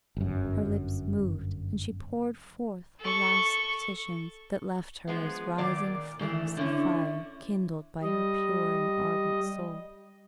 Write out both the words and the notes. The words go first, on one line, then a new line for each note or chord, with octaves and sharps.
Her lips moved, and she poured forth her last petitions, that left her as rising flakes of fire, kindled by her pure and ardent soul.
G1 F#2
A4 C#6
F3 G#3 B3
A#2 D#3 D5
G#2 D#3 E3 A3
D3 C#4 E4
G3 D#5